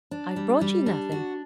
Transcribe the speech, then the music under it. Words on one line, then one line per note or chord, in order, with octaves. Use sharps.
'I've brought you nothing.
D4
G3
G3
D4
F#4